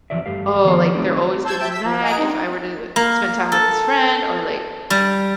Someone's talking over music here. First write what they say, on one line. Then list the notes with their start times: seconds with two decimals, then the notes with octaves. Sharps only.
"Oh, like they're always getting mad if I were to spend time with this friend," or like,
0.10 F2 D#3 E3 F#3 D5 E5
0.26 G2 A3 G4 F5
0.65 D#3 F3 B3 A4 F5
0.94 F#3 A3 C4 D#4 G#4 D5
1.43 C5 A5 E6 G6 G#6
1.57 E5 G5 A5 G6
1.70 E6 B6
1.83 F3
2.01 D#5 F#5 G#5 A#5 D#6 D7
2.18 C4 D4 D#4
2.96 A#3
3.52 A4
4.90 G3